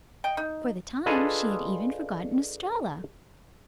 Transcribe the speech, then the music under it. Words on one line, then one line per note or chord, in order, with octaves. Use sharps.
For the time she had even forgotten Estralla.
D#5 G5
D#4
D4 F4 G#4 A4 B4 D#5